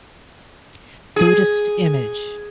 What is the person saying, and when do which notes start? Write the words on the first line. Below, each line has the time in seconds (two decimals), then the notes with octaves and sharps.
Buddhist image.
1.16 G#4